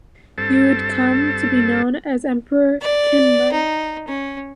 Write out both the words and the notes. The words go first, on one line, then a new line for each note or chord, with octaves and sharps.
He would come to be known as Emperor Kinmei.
G2 C4 A4 A5
D5
D#4
C#4